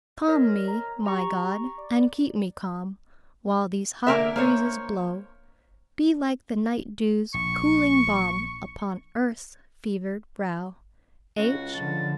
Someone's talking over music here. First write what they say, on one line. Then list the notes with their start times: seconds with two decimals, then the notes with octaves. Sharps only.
"Calm me, my God, and keep me calm While these hot breezes blow; Be like the night-dew's cooling balm Upon earth's fevered brow." --H.
0.28 A#4 C#5 D#5
0.67 A#5
1.06 G4 A#5 C#6
1.78 D5
4.07 D3 A#3 A#4 E5
4.36 A#3 C5 C#5
7.34 A#1 C#6
11.38 C#2 F#4
11.74 D3 F3 A5